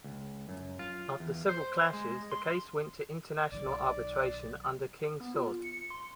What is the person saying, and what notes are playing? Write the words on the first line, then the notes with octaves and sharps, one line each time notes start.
After several clashes, the case went to international arbitration under King Saud.
C#2
F#2
F4
E2
C5
G#3
C6
B1 D#3 F#3 D5
B3
F4
C#7
C6